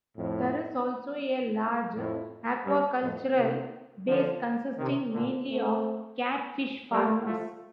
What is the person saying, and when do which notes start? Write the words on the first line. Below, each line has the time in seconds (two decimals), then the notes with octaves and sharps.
There is also a large aquacultural base consisting mainly of catfish farmers.
0.17 F2 A2
1.95 F2 A2
2.65 G2
3.01 F2 A2
3.36 C3 D#3
4.08 D3 F3
4.78 C3 D#3
5.14 A#2 D3
5.49 A3 C4
6.92 G3 A#3
7.27 F3 A3